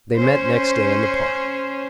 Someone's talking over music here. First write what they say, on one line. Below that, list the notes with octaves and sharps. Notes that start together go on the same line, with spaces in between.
They met next day in the park.
C#4 C5